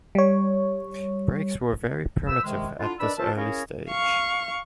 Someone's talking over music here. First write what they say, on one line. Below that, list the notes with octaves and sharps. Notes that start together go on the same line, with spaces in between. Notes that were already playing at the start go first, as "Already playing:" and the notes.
Brakes were very primitive at this early stage.
G3 C#5
A#2 B4 C5 B5 E6
C3 D#3 G#3
D3 D4 E4 F4
D#3 D4 B4 D5 B5 E6
C#4 F4 A#4 C5 E5 A5
A#3 C#4 E4 G#4 A#4 C#5
F5 C#6